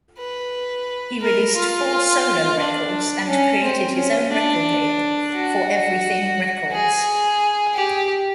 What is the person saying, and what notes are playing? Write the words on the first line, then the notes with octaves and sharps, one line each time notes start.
He released four solo records and created his own record label, "Foreverything Records".
B4
A#4
F4
D4
C#4
C4
C#4
D4
F#4
G#4
G4